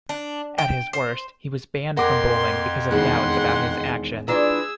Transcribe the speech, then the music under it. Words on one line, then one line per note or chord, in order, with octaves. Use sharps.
At his worst, he was banned from bowling because of doubts about his action.
D4
G5
C5
F2 A#3 F#5 C6 D6
E1 D#3 G#3 E4 F#5 C6
E3 D4 F4 G#4 A#5 E6